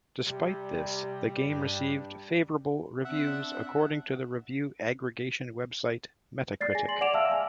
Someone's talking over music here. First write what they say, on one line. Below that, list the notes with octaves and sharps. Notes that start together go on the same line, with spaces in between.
Despite this, the game received "favorable" reviews according to the review aggregation website Metacritic.
C3 G3
G2
C4 D4 E5 F#5
D5 A6 C7
G#4 G#5 A#6
C6 F#7
D5 F#5 D6 D7 E7 F7
E5 F5 A5 E6 F6
F5 G#5